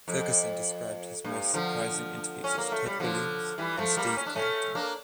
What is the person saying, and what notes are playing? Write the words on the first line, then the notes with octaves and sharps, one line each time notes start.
Ferguson described his most surprising interviews as Ted Williams and Steve Carlton.
F2
G2
D3 F3
C#4
A#3
A3
G3
D3 F3
E3 G3
F3 A3
G3 A#3
C#4
D4
A3 C#4
A#3 D4